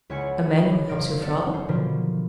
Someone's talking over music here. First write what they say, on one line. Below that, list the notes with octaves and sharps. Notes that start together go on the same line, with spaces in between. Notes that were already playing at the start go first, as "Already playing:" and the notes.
"A man who helps your father?"
C#2 E4 C#5 F#5 G#5 C#7
B4
F#1 C3 F5 A#6 D7
B3 A4 A#4 D5 F#5
C#4 C5
B2 D3 D#3 F3 G3 A#3